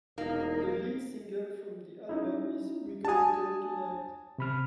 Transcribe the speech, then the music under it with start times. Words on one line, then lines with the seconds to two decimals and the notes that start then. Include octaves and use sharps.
The lead single from the album is "We Got It All Tonight".
0.18 E1 A#3 D#4
2.09 C#4 D#4 E4
3.05 D4 F#4 G#5 A5 D#6
4.38 C3 B5 F6